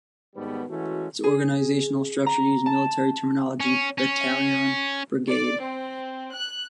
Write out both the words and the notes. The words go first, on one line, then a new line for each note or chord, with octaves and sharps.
Its organizational structure uses military terminology: battalion, brigade.
G#2 B2 D#3 G3 B3
E3 G#3 A3 C#4 F#4
G#4
A#5
A5
C#4
C#4
D5
C4
F#6